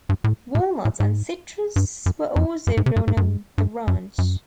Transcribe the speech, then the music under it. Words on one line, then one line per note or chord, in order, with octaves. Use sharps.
Walnuts and citrus were also grown on the ranch.
G2
A2
A2
A2
G#2
G2
F#2
F2
F#2
G#2
C3
G2
G#2
G2
F#2
G2
G2
F#2
F#2